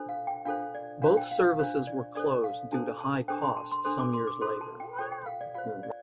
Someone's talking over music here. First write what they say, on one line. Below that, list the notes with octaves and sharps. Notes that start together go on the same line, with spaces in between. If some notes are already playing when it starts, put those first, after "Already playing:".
Both services were closed due to high cost some years later.
Already playing: D4 F4 A4 C5
F5
G5
D4 F4 A4 C5 F5
D5
D4 F4 C5 F5
G5
F5
F5
D4 F4 C5 F5
D5
D4 A4 C5 D5
F5
D4 A4 C5 A5
A5
D4 A4 C5 G5
C6
A5
C6
D4 A4 C5 C6
D6
C6
D6
F4 A4 C5 C6
A5
G5
F4 A4 C5 G5
G5
F5
D5
F4 C5 F5
D5